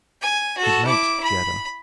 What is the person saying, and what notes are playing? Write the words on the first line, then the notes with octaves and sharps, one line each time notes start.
"Good night--Jetta."
G#5
F#4 A4
E4 D6
B5